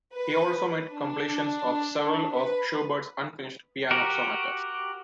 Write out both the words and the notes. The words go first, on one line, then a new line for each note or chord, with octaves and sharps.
He also made completions of several of Schubert's unfinished piano sonatas.
B4
D4
B4
F#4 G4 A#4